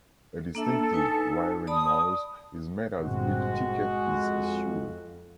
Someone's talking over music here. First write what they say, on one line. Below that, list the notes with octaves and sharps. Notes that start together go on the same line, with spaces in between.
A distinctive whirring noise is made as each ticket is issued.
A#3 D4 A4 E5
D#4 B4 G#5
D5 A5 B5 D#6
G1 A#2 G#3 C4 F#4
F2